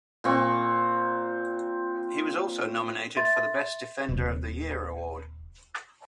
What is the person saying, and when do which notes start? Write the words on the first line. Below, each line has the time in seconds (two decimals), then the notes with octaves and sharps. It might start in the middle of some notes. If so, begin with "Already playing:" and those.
He was also nominated for the best defender of the year award.
0.24 A#2 C4 C#6
3.17 E5 C6 A6
4.09 D#1 C3